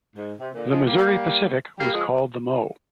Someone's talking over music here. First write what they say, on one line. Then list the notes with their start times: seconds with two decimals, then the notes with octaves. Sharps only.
The Missouri Pacific was called the Mo.
0.15 G#2
0.39 C3
0.54 A#2 D3
0.69 F3 G#3
0.85 G3 A#3
1.78 G3 A#3
1.93 F3 G#3